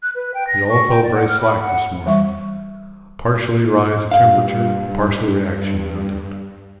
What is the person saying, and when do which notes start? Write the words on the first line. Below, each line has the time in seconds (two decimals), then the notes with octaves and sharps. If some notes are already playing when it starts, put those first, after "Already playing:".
We all felt very slack this morning, partly rise of temperature, partly reaction, no doubt.
0.03 F#6
0.15 B4
0.34 G5
0.48 A#6
0.70 C#6
0.89 G5
1.03 D5
1.15 F#5
1.29 F6
1.41 B5
1.63 F#5
2.06 E3 G3 E5 C#6
4.11 G2 F5